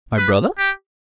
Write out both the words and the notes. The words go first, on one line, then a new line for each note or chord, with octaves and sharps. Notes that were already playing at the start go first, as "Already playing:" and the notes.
"My brother?"
B4
G4